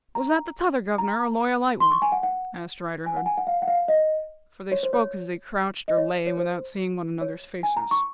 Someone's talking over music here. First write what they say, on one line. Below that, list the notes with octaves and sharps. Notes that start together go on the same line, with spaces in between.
'Was that the T'other Governor, or Lawyer Lightwood?' asked Riderhood. For, they spoke as they crouched or lay, without seeing one another's faces.
A#5
A#5
C6
C#6
G#5
F#5
F#5
G#5
F#5
G#5
F#5
F5
F#5
F5
D#5
C#5
C5
C#5
D#5
C#5
C#5
C5
C#5
G#5
A#5
C#6